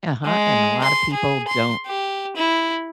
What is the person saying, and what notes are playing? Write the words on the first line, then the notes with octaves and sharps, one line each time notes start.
Uh-huh, and a lotta people don't
G#3
C6
G#4
C6
G4
E4